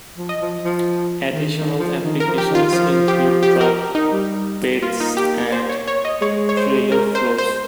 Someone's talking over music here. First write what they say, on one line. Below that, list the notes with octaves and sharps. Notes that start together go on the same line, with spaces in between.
Additional applications include truck beds and trailer floors.
F3
D#5
F3
F3
D#3
D#3
F3
D#3
A#4
F3
G4
D#3
F4
F3 F4
G4
G4
A#4
D#4
G3
A#3 F4
D#4
G4
C5
C#5
C#5
D#5
G#3 C#5
C#5
C5
A#4
C5
C5